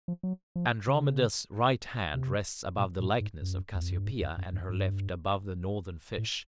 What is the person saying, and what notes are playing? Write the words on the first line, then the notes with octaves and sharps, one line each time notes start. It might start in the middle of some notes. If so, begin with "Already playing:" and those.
Andromeda's right hand rests above the likeness of Cassiopea, and her left above the Northern Fish.
F3
F#3
F3
C#3
C3
A#2
A2
G#2
F#2
E2
F2
F#2
G2
G#2
F2
F#2
G2
G2
A2